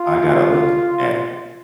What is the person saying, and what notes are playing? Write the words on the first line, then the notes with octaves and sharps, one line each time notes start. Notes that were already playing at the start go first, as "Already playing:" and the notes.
I gotta look at
Already playing: F4